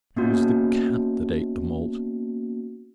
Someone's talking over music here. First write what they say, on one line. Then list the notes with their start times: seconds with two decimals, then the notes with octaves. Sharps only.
It was the cat that ate the malt.
0.16 A#3 B3 C#4 D#4 F#4